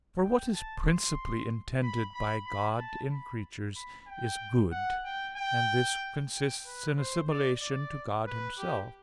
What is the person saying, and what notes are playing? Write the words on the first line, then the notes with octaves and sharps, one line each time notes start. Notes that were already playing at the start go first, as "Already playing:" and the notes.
For what is principally intended by God in creatures is good, and this consists in assimilation to God Himself.
G5
A5
C6
B5
B5
B5
A5
B5
B5
G5
F#5
G5
G5
G5
B4
C5
D5
D5
B4
G4